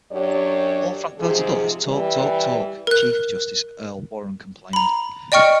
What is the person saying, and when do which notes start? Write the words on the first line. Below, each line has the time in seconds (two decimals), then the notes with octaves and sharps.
"All Frankfurter does is talk, talk, talk," Chief Justice Earl Warren complained.
0.12 F#2 F#3 D4 G4 C#5 D5
1.19 G#2 C3 F3 G#4
1.85 E3 G3
2.87 A#4 F#6
4.73 A#5 B5
5.32 D5 D#5 G5 C#6 F6 C#7